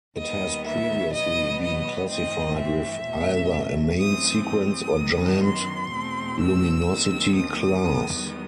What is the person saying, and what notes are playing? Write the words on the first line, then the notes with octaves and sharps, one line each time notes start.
It has previously been classified with either a main sequence or giant luminosity class.
D#2 D#3 G3 B3 D#5
E5
B2 F#3 B3 D#5
D#5
G2 E3 A3 C4 D#5
E5
E2 B2 A3
F#2 E3 A3 C4 D#6
D#6
F#2 D#3 F#3 B3
C6
E2 B2 A3 C4
E6
D#2 D#3 F#3 C4
D#6
E2 D#3 G3 B3